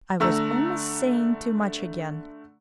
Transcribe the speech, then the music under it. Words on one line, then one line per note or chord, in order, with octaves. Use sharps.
I was almost saying too much again.
D3 A3 A#5 E6